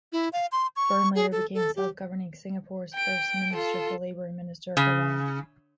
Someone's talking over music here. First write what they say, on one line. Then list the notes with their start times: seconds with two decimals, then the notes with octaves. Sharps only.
Byrne later became self-governing Singapore's first Minister for Labour and Minister for Law.
0.12 E4
0.33 F5
0.52 C6
0.76 C#6
1.15 G#4
1.32 A4
1.54 A4
1.76 G4
2.94 G5 D7
3.53 F4 A4
4.77 C#3